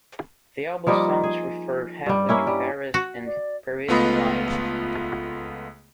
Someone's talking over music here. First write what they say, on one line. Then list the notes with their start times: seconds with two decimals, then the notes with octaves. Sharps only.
The album's songs refer heavily to Paris, and Parisian life.
0.87 F3 G3 A#3 D#4
1.23 G#4
2.06 G2 G3
2.29 A#3 C#4 E4
2.47 G3
2.94 F#4
3.26 D5
3.88 C#2 A3 B3 F4 D#5 B5